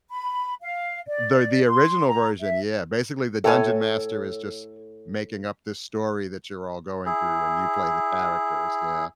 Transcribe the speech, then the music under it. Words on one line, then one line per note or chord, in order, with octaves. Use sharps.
The the original version, yeah, basically the Dungeon Master is just making up this story that you're all going through and you play the characters. Yeah.
B5
F5
D5
C6
A#5
E5
A2 A4 C#5 G#5
E4 G#4